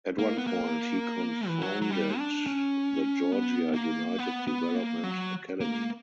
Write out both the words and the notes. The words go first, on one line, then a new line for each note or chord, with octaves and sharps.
At one point he cofounded the Georgia United development academy.
A#3
B3
A#3
E3
F#3
F#3
G3
D4
C#4
B3
A#3
B3
B3
A#3
F#3
A#3